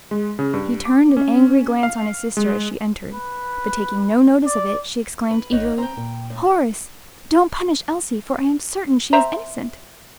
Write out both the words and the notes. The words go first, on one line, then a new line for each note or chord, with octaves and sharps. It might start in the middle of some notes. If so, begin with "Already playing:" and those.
He turned an angry glance on his sister as she entered; but taking no notice of it, she exclaimed eagerly, "Horace, don't punish Elsie, for I am certain she is innocent."
G#3
C#3
G2
D6
C#4
F5
G#3
B4
D5
B4
G#1 D#4 C#5 F#5
C4 G5 A#5
A#2
A2
C4 E5 A#5